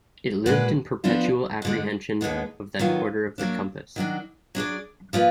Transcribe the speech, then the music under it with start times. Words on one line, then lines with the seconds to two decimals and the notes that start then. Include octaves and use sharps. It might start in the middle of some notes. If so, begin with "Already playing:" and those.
It lived in perpetual apprehension of that quarter of the compass.
0.46 A#2 G#3 D4 F#4 B4
1.04 F3 B3 D4 F4
1.62 F2 D3 G#3
2.21 D#2 D3 G#3 B3
2.79 D#3 F#3 B3 F4
3.38 F#3 A#3 D4
3.96 D#3 F#3 D4 F#4
4.55 F#3 D4 G#4 D5
5.13 F3 A#3 F4 B4 D#5